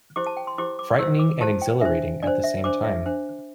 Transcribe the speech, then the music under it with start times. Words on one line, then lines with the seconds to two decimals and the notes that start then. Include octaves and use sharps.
Frightening and exhilarating at the same time.
0.16 E4 G4 C5 D6
0.26 A5
0.37 G5
0.47 C6
0.58 E4 G4 C5 D6
0.79 D6
0.99 E4 G4 C5 E6
1.19 D6
1.41 E4 G4 C5 A5
1.62 G5
1.81 D4 C5 E5
2.23 D4 C5 D5
2.44 E5
2.64 D4 C5 D6
2.85 E5
3.06 D4 C5